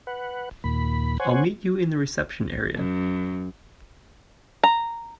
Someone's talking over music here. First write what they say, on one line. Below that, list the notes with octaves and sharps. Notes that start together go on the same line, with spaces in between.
I'll meet you in the reception area.
B4 F#5
D#2 A#2 B5
C5 C#5 F#5 G#5
F#2
A#5